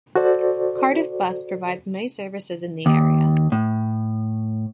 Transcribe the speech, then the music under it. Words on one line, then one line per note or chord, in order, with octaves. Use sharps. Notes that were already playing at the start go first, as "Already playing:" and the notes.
Cardiff Bus provides many services in the area.
F#4 A4 C5 D5
D#2
A2